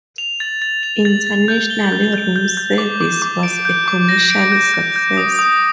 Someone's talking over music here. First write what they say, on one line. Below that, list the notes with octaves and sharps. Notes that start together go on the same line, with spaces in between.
Internationally, "Room Service" was a commercial success.
F7
A6
A6
F7
A6
A6
G6
G7
G6
G6
G6
G6
D6
D6
D6
D7
G6
D6
A#6
D7
G6
G6
G6
D#6
D#6